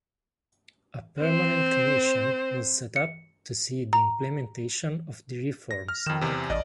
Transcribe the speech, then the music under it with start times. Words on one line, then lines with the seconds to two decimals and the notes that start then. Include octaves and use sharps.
A permanent commission was set up to see the implementation of the reforms.
1.21 C4 C5
2.96 C#7
3.93 A#5
5.71 A#6
5.88 F6
6.06 F2 D#3 E7
6.21 E2 C3
6.50 A1 D5 D#5